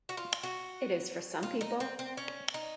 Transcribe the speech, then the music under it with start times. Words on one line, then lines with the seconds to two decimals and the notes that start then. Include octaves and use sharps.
It is for some people.
0.09 F#4
0.17 F4
0.43 F#4
1.43 F4
1.61 D#4
1.80 C4
1.99 C4
2.17 C#4
2.54 D#4